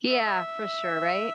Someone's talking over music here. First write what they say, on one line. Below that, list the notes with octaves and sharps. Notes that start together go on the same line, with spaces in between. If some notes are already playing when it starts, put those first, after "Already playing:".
Yeah, for sure, right?
E5